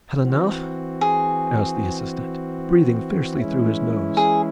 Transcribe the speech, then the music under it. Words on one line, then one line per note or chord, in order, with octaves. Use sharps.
"Had enough?" asked the assistant, breathing fiercely through his nose.
E3 C4 F#4
G#4
E3 G#3 C#4 E4
G#4